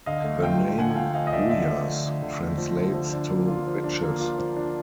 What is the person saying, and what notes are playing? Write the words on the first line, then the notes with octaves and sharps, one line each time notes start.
The name Brujas translates to "Witches".
D3 D#5 F5
A3
F3 F5 G5
D3
D3 F#5 G#5
G#5
A3 F5 G5
F3 D#5 F5
D#5
D3 D5 E5
D3 D5 E5
A3
F3
D3
D3
A3
F3
D3
F3
D4
A#3
F4
F3
D4
A#3
F4
F3
D4